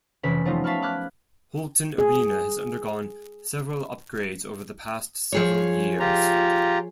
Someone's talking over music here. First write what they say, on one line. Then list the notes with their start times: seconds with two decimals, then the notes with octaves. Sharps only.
Halton Arena has undergone several upgrades over the past several years.
0.23 F1 E3 C#4 B5 B6
0.45 F3 F#3 A3 B3 D#4 F4
0.64 E5 F5 A5 B5 C#6 F6
0.82 B5 D6 F6 F#6 G#6
1.98 G#4
5.32 F3 G#4 C#5
6.00 F4 G4 A#5